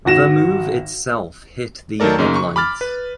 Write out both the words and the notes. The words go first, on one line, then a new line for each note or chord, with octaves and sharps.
The move itself hit the headlines.
G#1 F#4 A#6 E7
D#3 F#3 A3 A4 A#4 D5
F#2 C#3 A#3 D#4
C#6
B5 D6 F6 A6
B4